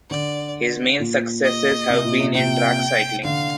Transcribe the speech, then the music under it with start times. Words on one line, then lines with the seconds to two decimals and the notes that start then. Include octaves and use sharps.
His main successes have been in track cycling.
0.10 D3 D5
0.99 A#2
1.45 D#5
1.90 C3
2.04 A#2
2.20 C3
2.35 C3 G5
3.24 D3 F5